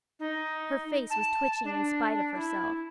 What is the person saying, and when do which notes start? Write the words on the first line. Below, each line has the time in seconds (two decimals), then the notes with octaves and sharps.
Her face was twitching in spite of herself.
0.19 D#4
1.10 A5
1.64 D4
2.34 E4